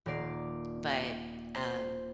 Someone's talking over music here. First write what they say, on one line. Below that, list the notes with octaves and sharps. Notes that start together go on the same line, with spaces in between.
but, um,
D#1 A#4 D5 C7
C5